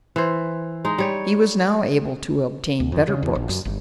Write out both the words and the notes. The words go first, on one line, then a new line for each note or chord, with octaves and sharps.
He was now able to obtain better books.
E3 C5
G#3 D#4
G3 C#5
D2
F2
C#3
E2
A#1
F#2
G1